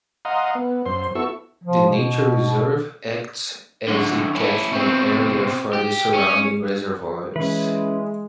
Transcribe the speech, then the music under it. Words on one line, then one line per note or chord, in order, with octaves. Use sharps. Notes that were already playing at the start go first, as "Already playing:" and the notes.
The nature reserve acts as a catchment area for the surrounding reservoirs.
D#5 F5 F#5 A#5 C6 D#6
B3
F#2 C5 C6
B3 E4 F#4 A4 C#6 E6
F3
B2
F#2 D3
C#4 E4
B2 C4
G4
C#4
E3 G#3 C#4 E4 B4